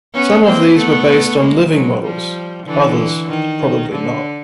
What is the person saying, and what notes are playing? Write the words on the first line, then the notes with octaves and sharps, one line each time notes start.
Some of these were based on living models, others probably not.
B3 C#4
A#3 C4
A3 B3
G#3 A#3
F#3 G#3
F3 G3
D3 E3
D#3
D3